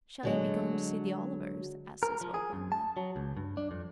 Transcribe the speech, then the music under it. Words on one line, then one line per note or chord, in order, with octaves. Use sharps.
"Shall you be going to see the Olivers?" asked Isabel bluntly.
D3 F#3 G#3
A#4
F3
G#4
F#2
A5
F#3
C#2
G2
D4
F2